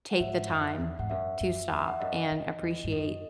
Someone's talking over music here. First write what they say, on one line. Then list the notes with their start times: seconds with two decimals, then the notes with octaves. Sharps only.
take the time to stop and appreciate
0.11 F#5
0.19 G#2 E5
0.49 F#2
0.80 E2
0.99 G#2 F#5
1.10 F#2 E5
1.40 F#2
1.71 E2
1.87 F#5
1.94 E5
2.00 F#2 D#5
2.31 F#2
2.61 E2
2.84 G#2
2.92 F#2 D#5